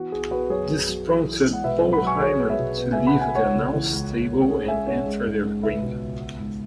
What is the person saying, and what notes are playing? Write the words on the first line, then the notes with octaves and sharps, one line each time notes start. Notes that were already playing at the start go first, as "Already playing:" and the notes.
This prompted Paul Heyman to leave the announce table and enter the ring.
Already playing: E3 B3 F#4
B3 G#4
B3 F#4 B4
F#2 G#4 C#5
F#2
F#3
E3
E3
G#3
F#5
B2 B4 E5
F#3
F#5 B5
F#3 G#5 C#6
F#3 G#4 C#5
B3
B4 E5
B2
B3
C#3 E5 G#5
F#5 B5
B3 E5 G#5
C#2 C#5 F#5
C#3
E3
C#2
G#3
C#2
C#4 G#4
G#3 E5 G#5
C#4 C#5 F#5
G#3
G#2
G#2
C#2 B4 E5
B2
C#2
B3
G#2